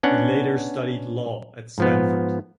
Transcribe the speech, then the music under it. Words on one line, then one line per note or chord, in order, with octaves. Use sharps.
He later studied law at Stanford.
B3 C#4 D4 F#5
G#2 F3 B3